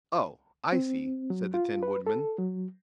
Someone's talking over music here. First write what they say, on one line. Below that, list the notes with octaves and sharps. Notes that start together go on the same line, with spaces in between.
"Oh, I see," said the Tin Woodman.
C4
F#3
F4
B4
A4
F#3